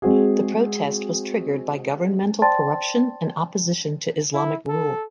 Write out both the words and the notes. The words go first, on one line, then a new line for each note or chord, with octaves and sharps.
The protest was triggered by governmental corruption and opposition to Islamic rule.
G#3 C4 F#4 G#4
C5 D5 G5 A5 C6 A6
E4
A4